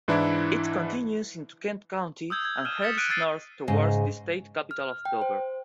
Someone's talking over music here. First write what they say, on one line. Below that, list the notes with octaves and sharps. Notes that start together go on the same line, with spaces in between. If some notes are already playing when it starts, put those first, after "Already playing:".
It continues into Kent County and heads north towards the state capital of Dover.
G#2 E3 D4 E4
D#6 E6 G6 G#6
G#6
F6 D#7 E7
D#6 F6 A6 B6 C#7 E7
F#6 D7 D#7
E6 G#6 A6 C7 D#7
G#2 C#3 D#5
F6
G5
C5